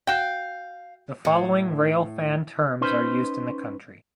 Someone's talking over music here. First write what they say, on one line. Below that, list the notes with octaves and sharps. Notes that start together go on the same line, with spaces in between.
The following railfan terms are used in the country.
F#4 F5 G5
A2
C#4 D#4 B4 C5